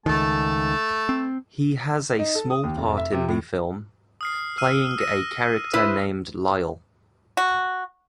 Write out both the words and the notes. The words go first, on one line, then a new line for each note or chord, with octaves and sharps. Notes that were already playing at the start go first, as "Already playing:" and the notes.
He has a small part in the film, playing a character named Lyle.
C#2 D#3 A3 A5
C4
D#4
A4
D#6
D#2
F1
E5
C3
A2
D#6 F6 C7
E6 F6 D#7
E6 A#6 D#7
E4 B4 C5
F#4